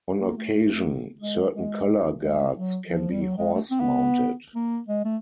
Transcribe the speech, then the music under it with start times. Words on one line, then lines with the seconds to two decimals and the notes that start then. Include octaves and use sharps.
On occasion, certain color guards can be horse-mounted.
0.20 A#3
0.37 A3
1.21 G#3
1.54 G#3
2.22 G#3
2.55 F#3
2.87 F3
3.11 G3
3.21 F#3
3.38 G#3
3.54 A3
3.71 C4
3.80 B3
4.55 A#3
4.88 G#3
5.05 A3